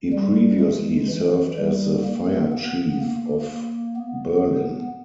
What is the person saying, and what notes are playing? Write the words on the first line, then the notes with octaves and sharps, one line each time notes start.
He previously served as the Fire Chief of Berlin.
G3
G#3
E3
G3
A#3
B3
A#3
A#3
B3